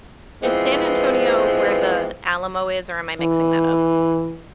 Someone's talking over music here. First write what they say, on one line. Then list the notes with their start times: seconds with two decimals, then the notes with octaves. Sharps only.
Is San Antonio where the Alamo is, or am I mixing that up?
0.42 E3 F3 G#3 B3 C4
3.21 E3